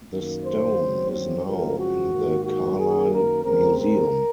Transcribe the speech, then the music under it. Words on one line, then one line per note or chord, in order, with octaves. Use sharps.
The stone is now in the Carlisle Museum.
F#2 D#3 A#3
C5
F#2 D#3 F#3 C4
C5
F#2 C#3 F3 G#3 C4 A#4
F#4
G#2 D#3 A#3
F#4
F#2 D#3 A#3 G#4
A#4
D#2 C#3 G#3 C4 A#4
A#4